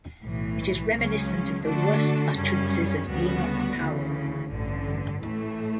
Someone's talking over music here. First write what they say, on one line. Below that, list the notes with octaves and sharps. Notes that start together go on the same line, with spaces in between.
It is reminiscent of the worse utterances of Enoch Powell.
B1 A2 E3
C#2 C#3 F#3 C#4
D3 A3 D4 F#4 A4
F#2 C#3 G3 C#4
D2 C#3 G3 B3 F#4
D2 C#3 E3
A1 G2 D3
A2 E3 A3